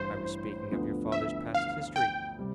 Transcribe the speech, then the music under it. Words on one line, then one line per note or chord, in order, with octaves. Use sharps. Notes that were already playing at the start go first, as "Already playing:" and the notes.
I was speaking of your father's past history.
Already playing: A1 G2 E3 G3 C5
D2 D3 F3 B3 D4
E5
F5
G5
C3 G3